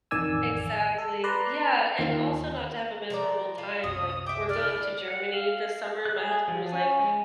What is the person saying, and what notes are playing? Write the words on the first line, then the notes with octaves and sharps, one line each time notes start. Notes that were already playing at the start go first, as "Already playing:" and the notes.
Exactly, yeah, and also not to have a miserable time, like, we're going to Germany this summer and my husband was like,
A1 F2 D#3 D5 G#5 E6
A4
B4 D5 A#5 C6
D#2 D#3 F4
F3 A#4 D5
F4
F#1 C2 C#4 D#6
E5 G5 D6
D3 E4 D5 F6
F#5
F5
F#6
G#4
F3
C#4
G#3